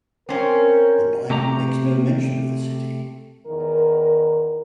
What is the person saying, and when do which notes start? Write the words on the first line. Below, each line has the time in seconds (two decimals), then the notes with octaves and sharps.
The Bible makes no mention of the city.
0.29 C4 C#4 A#4
1.30 C3 A3 G4 A#5
3.47 E2 D#3 A#4